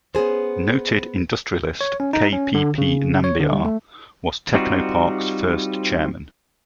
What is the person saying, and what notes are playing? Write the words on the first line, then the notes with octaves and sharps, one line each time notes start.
Noted industrialist K. P. P. Nambiar was Technopark's first chairman.
B3 C#4 G#4 C5
C#5
C#4
D#4
C#4
D3
C#3
C#5
D3
G3
A3
G3 C4 D#4 F4 F#4